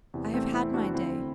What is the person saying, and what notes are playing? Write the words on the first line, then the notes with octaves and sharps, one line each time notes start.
I have had my day.
E2 C3 E3
A3 C4
C4 E4
D4 F#4
F#4
D2 D3 C4 E4